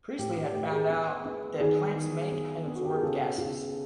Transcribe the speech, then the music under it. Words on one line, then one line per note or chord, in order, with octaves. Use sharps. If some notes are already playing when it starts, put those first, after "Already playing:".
Priestley had found out that plants make and absorb gases.
A2 G4
G4
A3 G4
G#4
B3
B3
D#3 G#4
D#3
B3
B3
F#4
G4
G#4
C#3 A4
C#3